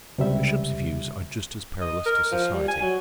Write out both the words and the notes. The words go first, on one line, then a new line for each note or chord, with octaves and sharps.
The Bishop's views are just as perilous to society.
C#2 C3 G3 E5
D#5
A#4
F3
G3
G#5
F#3